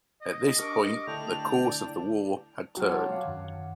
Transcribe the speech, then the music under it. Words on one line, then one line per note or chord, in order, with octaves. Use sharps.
At this point, the course of the war had turned.
D#5
D4 G4 A#4 C#6 D6
D3 A3 D4 E4 G5 F7
F#3 G5 F6
C#5 F#5 A5 C6 D6
F5 G5
F#2 D#3